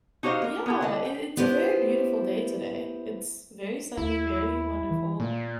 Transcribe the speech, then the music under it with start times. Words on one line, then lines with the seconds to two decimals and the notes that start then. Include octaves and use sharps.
Yeah. It it's a very beautiful day today. It's very sunny, very wonderful.
0.23 D#4 F#4 G4 C5 D#5 F5
0.42 A#3 A#4
0.66 B3 E4 G4
0.81 D3 D#5 A5
1.05 G5
1.37 B3 E4 G4 B4 C5
3.97 D#2 E4
4.91 E3
5.20 A#2 A#3